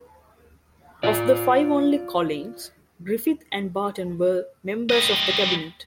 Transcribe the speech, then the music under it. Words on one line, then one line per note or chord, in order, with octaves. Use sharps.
Of the five only Collins, Griffith and Barton were members of the cabinet.
F4 D5
G3 D#5